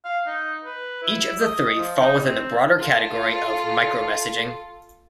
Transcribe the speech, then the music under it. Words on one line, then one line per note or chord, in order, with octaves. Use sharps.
Each of the three fall within the broader category of micro-messaging.
F5
D#4
B4
E4
D#5
F3
D#4
C4
F4 A4